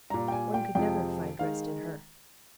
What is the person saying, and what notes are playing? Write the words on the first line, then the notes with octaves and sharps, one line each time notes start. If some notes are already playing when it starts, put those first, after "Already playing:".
One could never find rest in her.
A#2 G3 A#5
G5
G#5
G5
F2 C3 F3 G#3 G5
D#3 G#3 F5